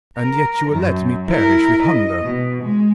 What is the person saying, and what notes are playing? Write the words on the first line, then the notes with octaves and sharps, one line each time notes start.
"And yet you will let me perish with hunger?"
A#4
F#2
E4 A#4
D#5
B2
G#3